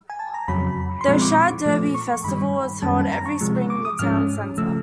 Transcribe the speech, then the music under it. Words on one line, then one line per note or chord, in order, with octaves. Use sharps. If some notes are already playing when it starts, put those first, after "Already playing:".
The Shad Derby Festival is held every spring in the town center.
G#5
A5
A#5
F2 C#3 F#3 B5
C6
A#2 F3 G#3 C4 C#6
D6
A#2 F3 A3
C#6
G2 D#3 G3 B5
F#2 D#3 G3 A#3 C#4 A5
A#5
C#6
C3 F3 G#3
D6
D#6
G#2 F3 G#3 C#4 F6
C#3 F3 A3 E6